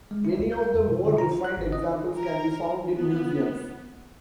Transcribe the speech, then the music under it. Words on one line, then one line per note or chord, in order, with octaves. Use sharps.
Many of the more refined examples can be found in museums.
G#3
E4
C2
G6
F2
B2
D3
A#5
C5
F#6
G#1
D#5
A#4
B3